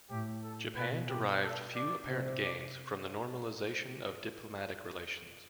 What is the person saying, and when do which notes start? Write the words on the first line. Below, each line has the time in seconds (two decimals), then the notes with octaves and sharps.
Japan derived few apparent gains from the normalization of diplomatic relations.
0.10 A2 G4
0.43 A4
0.76 B2 B4
1.09 G4
1.43 A4
1.75 D5
2.08 C3
2.42 D5